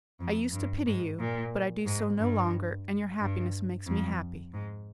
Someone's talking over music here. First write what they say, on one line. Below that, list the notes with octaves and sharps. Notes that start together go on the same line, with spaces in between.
I used to pity you, but I do so no longer, and your happiness makes me happy.
F2
G2
G#2
A#2
G#2
G2
G2
F2
G#2